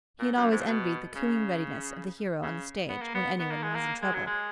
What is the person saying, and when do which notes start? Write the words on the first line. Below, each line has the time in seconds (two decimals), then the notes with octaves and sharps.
He had always envied the cooing readiness of the hero on the stage when anyone was in trouble.
0.20 A#2
0.36 F#2
0.52 G#2
0.60 A#2
0.67 B2
1.16 C#3
2.43 C#3
2.89 B3
3.02 A#3
3.15 B3
3.39 B3
3.51 A#3
3.63 G#3
3.75 A#3
4.02 G#3
4.14 F#3
4.27 G#3